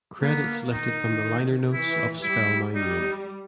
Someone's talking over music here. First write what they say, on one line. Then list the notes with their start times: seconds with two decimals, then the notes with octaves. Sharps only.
Credits lifted from the liner notes of "Spell My Name".
0.21 A#3 B3
0.73 D#3 D#4
1.73 E3 E4
2.23 G3 E4
2.75 G3 D#4